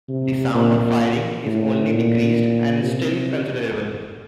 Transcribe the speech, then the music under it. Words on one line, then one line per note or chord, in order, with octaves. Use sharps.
The sound of firing is only decreased and is still considerable.
C3
A#2
A2
A#2
C3